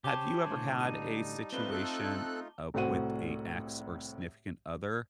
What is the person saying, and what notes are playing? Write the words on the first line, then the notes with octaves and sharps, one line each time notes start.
Have you ever had a situation, uh, with a ex or significant other,
G4 C5 C#5 G#5 A5 D6
A2 D3
G3 D#4 D#7
G3 A3 C4 D#4 F4 B4 G7
A4 F#6
C2 A2 C4 F#4 F#5 D#7